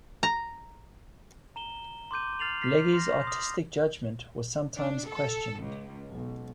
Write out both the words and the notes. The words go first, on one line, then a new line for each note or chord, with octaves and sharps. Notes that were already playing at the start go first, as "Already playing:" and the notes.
Legge's artistic judgment was sometimes questioned.
A#5
A#5 E7 G7
C6 D6 G6 D#7
F6 A6 C7 F7 F#7
F6 A6 B6 C7
C6 F6 A#6
C6 D#6
D4
A4
C#2
B1